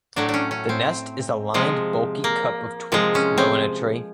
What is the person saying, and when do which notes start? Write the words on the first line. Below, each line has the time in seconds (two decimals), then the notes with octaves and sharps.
The nest is a lined bulky cup of twigs low in a tree.
0.16 A2 F#3 A3 D4
0.29 D4
0.34 C#4
0.51 C#4
0.69 C4
1.54 C3 F3 G#3
2.24 A#3
2.92 C3 F3 G#3
3.15 C#4
3.38 C4